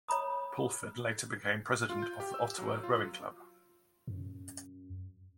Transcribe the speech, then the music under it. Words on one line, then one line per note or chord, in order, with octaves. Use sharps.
Pulford later became president of the Ottawa Rowing Club.
C#5 A#5 B5 D#6
F4
G6
G4
E6
F#3
F4
F#2